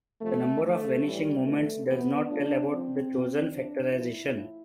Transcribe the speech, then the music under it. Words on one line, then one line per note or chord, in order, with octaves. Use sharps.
The number of vanishing moments does not tell about the chosen factorization.
F2 C3 F3 A3
F2 D3 F3 A3
A2 E3 G3
E2 B2 A3
E2 C3 E3 B3
A2 F3 D4
G2 F3 C4
F2 C3 F3
E2 D3 F3 D4
F2 C3 F3 E4
A2 F3